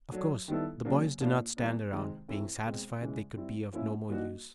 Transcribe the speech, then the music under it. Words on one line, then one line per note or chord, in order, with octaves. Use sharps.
Of course the boys did not stand around, being satisfied they could be of no more use.
F#3 A3 D4
D#3 G3 B3 E4 A4
C#3 F#3 A#3 D4
A2 F3 A#3 D4
E3 G3 B3 D4
C3 D#3 G#3 C4
A2 E3 A3 C4 E4
B2 G#3 C4
C#3 E3 G#3
G3 C4 E4
A2 F3 A#3 C#4 E4
E3 G3 A#3 D#4 F#4